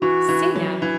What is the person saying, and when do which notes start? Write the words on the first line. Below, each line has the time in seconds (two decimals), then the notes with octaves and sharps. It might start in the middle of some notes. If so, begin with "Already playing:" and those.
"Say, now."
0.02 E3 F#4
0.29 E3
0.55 F#3
0.82 E3